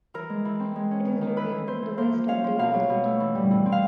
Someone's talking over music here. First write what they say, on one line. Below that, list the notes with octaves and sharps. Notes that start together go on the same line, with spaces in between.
It is located in the west of the island.
E3 A#4
G#3
E3
C4
G#3
C#4
D#3
D#3
E3 B4
E3
E3 C5
E3
A#3 C5
F3
C#4 F5
F3
B2 F5
F#3
B2
A3
E3
G3
E3
C4
F5